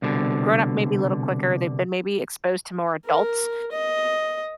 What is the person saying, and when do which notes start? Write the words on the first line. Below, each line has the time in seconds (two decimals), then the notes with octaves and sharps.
grown up maybe a little quicker, they've been maybe exposed to more adults
0.02 C2 B2 D3
3.06 A#4
3.72 D#5